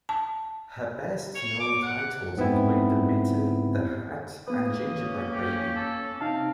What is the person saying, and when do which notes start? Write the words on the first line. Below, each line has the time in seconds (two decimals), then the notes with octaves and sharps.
Her best-known titles include "The Mitten", "The Hat", and "Gingerbread Baby".
0.09 A5
1.35 C#5
1.60 D6
1.82 F#5
2.37 G#2 B3 C4 E4
4.48 A#3 B3 B4 D#6
4.88 C#4
5.32 G4
5.76 A4
6.21 C3 D#4 F5 A5